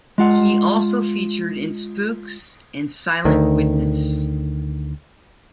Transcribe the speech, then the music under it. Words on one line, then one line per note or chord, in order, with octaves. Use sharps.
He also featured in "Spooks" and "Silent Witness".
G#3 F4 F#5
D2 D#3